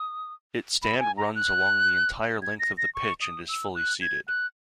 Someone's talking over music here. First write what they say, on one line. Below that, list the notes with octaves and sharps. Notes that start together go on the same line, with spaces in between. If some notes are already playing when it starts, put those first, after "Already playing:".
It stand runs along the entire length of the pitch and is fully seated.
Already playing: D#6
B5
G#5
A#5
F#6
G#6
A#6
A#6
C#6
D#6
E6
F#6
G#6
F#6